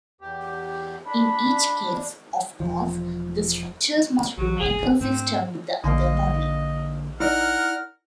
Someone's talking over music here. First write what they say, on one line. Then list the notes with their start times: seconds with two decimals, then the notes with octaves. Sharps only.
In each case, of course, the structures must remain consistent with the other model.
0.21 E2 G4
1.06 D4 B5
2.60 E1 F3
4.38 A#1 E3 F#3
4.60 G1 C2 A#2 G#4
5.01 G#2 A3 C4 D4
5.84 A#1 D3 A#3 D#5
7.20 D#4 E4 A#4 D5 F#5 F6